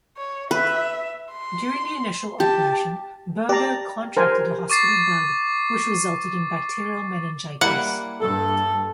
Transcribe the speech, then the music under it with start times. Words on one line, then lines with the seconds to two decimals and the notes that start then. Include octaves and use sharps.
During the initial operation, Burger contracted a hospital bug, which resulted in bacterial meningitis.
0.17 C#5
0.51 B4 E5
1.32 C6
2.40 G4 A5
3.49 G4 D5 A#5
4.17 A#4 C5 G#5
4.70 C#6 D6 A6 C7
7.61 G3 A#3 E4 F#5
8.20 G2 A4